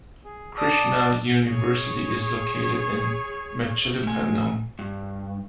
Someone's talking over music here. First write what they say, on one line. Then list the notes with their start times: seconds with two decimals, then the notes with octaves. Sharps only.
Krishna University is located in Machilipatnam.
0.25 G#4
0.58 D5 A5 D#6
1.46 G#4 C#5
4.03 A3 G#5
4.79 G2